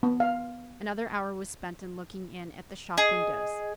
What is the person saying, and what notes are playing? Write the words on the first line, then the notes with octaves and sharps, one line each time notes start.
Another hour was spent in looking in at the shop windows.
B3
F5
G#4 D#5